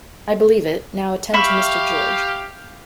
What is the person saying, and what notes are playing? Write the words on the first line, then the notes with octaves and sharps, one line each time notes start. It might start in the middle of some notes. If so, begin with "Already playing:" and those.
I believe it, now attend to Mr. George.
G4 E5 F5 B5 C#6